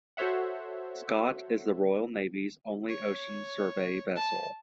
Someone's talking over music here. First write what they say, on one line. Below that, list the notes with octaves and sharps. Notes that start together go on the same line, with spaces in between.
"Scott" is the Royal Navy's only ocean survey vessel.
F#4 A4 C5 C#5 E5 F#5
C#5
A5